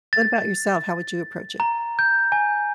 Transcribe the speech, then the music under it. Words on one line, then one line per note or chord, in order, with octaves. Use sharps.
What about yourself? How would you approach it?
A6
A#5
G6
G#5